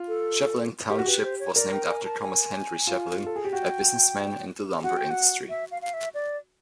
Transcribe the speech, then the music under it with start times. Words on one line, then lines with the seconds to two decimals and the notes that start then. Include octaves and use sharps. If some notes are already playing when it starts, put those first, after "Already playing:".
Shevlin Township was named after Thomas Henry Shevlin, a businessman in the lumber industry.
Already playing: F4
0.08 A4
0.90 G4 A#4
0.99 F#4
1.06 G4 B4
1.24 C5
1.40 C#5
1.56 A#4 D5
1.72 G5
1.89 G#5
2.05 A5
2.22 G#5
2.87 F4
3.27 A4
3.36 G#4
3.45 G4
3.53 F#4 G5
4.84 F#4 F#5
4.97 G5
5.10 F#5
5.49 E5
5.71 F5
5.82 F5
5.94 E5
6.14 D5